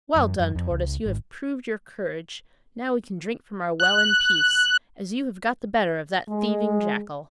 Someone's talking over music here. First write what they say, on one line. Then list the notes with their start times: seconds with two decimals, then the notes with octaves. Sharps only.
'Well done, tortoise, you have proved your courage; now we can drink from our well in peace, as you have got the better of that thieving jackal!'
0.16 F#2
0.40 F#2
0.55 F2
0.71 C#2
1.06 G#1
3.80 F#6
6.28 G#3